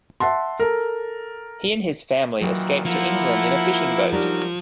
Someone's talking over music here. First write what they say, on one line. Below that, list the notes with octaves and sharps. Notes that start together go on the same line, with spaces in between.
He and his family escaped to England in a fishing boat.
E5 F#5 A5 C6
A4 A#4
A#2 D#3 E3 F#3
F3 A#3 E4 F#5
F#3 G3 D4 D#4 A#4 D5